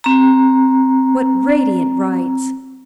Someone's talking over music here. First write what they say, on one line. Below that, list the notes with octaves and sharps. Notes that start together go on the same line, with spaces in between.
'What radiant rites!
C4 A#5